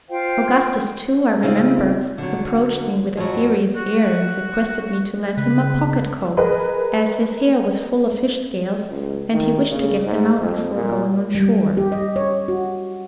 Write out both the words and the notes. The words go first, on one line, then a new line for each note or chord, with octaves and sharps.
Augustus, too, I remember, approached me with a serious air, and requested me to lend him a pocket-comb, as his hair was full of fish-scales, and he wished to get them out before going on shore.
F4 C5 F5 G5
C#3 G3 C4 C#4 D#4 F4
D3 F#3
F2 F#3
F#4
C#3 B4
G#4 A#4 B4 D#5
C#2
D#3
C#3
G#2
F2
A#2
G3
G4
D#5
C#5
F#4